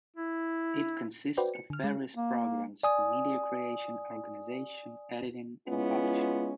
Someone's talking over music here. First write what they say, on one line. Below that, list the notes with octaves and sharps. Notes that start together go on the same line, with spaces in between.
It consists of various programs for media creation, organization, editing and publishing.
E4
F#4 B4 C5 D5 G5
C#7
D3 F6
G#3
A#3
D5 G#5 D#6
G#3 B3 C#4 E4 F4